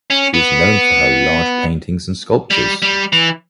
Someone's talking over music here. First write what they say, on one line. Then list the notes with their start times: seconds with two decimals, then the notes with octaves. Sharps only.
She is known for her large paintings and sculptures.
0.10 C#4
0.34 B3
2.51 G3
2.82 G3
3.12 E3